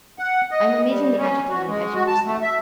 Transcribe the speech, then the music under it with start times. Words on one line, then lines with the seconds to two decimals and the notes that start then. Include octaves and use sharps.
I am amazingly agitated, as you perceive.
0.19 F#5
0.51 D#5
0.88 G3
1.18 C#4
1.50 F#4
1.67 G#3
1.94 F#4
2.07 A5
2.25 A3
2.42 E5